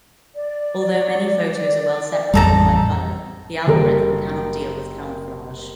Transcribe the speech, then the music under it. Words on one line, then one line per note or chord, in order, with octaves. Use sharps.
Although many photos are well-separable by color, the algorithm cannot deal with camouflage.
D5
A1 F2 G3 D#4 A4 A#5
F#1 G3 A4 A#4